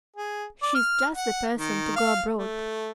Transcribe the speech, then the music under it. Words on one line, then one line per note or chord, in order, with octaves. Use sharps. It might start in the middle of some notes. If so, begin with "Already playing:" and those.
"She's just the person to go abroad."
G#4
D5
F6
F#5
D#3
F5
A3